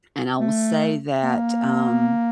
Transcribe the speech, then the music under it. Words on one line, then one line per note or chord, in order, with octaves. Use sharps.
And I will say that, um
A3
A#3